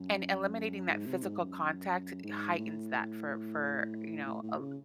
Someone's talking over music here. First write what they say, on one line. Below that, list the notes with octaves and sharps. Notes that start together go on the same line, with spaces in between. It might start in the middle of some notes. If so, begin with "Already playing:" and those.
and eliminating that physical contact heightens that for for, you know, a li
Already playing: F#2
G#2
C3
G#2
F#2
G#2
A2
A2
A2
C#3